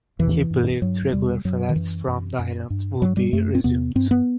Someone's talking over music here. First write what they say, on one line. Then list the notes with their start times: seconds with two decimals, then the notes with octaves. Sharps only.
He believed regular flights from the island would be resumed.
0.19 E2 C3 E3
0.51 G2
0.82 G2 F#3
1.13 E2 C3 G3
1.45 F#2 F#3
1.69 D#3
1.76 F#2 E3
2.08 F#2
2.39 F#2
2.70 G2
3.02 G2 F#3
3.17 G3
3.33 F#2 A3
3.55 C4
3.64 E2 C3 B3
3.95 G2 C4
4.11 B3